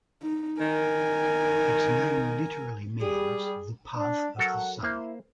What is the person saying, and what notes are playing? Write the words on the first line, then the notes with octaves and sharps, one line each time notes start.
Its name literally means "The Path of the Sun".
D#4
D#3 A#4 G#5
G3 G#4
D4
F#3 A4 A#4 F#5
A#3 E4 C5